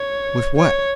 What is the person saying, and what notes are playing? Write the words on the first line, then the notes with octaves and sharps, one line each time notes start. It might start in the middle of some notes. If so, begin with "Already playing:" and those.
With what?
Already playing: C#5
C#5